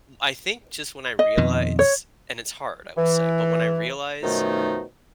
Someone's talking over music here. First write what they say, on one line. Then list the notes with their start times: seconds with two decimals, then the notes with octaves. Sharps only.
M I think just when I realize and it's hard, I will say, but when I realize
1.19 D#5
1.37 F2 B2 D#3
1.79 C#5
2.97 E3
4.22 F#2 B2 D#3 F3 A3 D#4